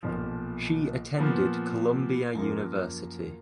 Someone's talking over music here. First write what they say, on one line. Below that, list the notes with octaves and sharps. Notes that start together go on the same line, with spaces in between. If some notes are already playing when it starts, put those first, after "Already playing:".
She attended Columbia University.
B1 A#2 F3
A#2 F3 B3
F#2 F3 A#3